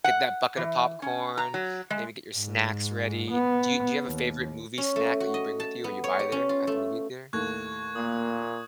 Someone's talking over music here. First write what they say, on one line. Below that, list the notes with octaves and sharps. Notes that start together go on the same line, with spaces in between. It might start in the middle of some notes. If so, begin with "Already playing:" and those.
Get that bucket of popcorn, maybe get your snacks ready. Do you do you have a favorite movie snack that you bring with you or you buy there at the movie theater?
F#5
E3
C#4
A#5
F#3
G#3
G#2
B3
D#2
C#4
A3
F#4
D#5
A5
B3
C#5
G4
C#4
F4
A3
D#2 A2 C#6 F#6 G#6
A#2 A#3 D#6